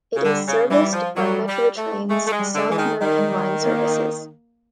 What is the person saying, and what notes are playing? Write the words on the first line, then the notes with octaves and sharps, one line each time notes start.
It is serviced by Metro Trains' South Morang line services.
C#3
D3 G3
C#3
E3 G3
F3
F#3 G3
G3
A3
G#3 A3
A3
G#3
G3
D3
E3 G#3
D#3
D#3 G3
G3
A#3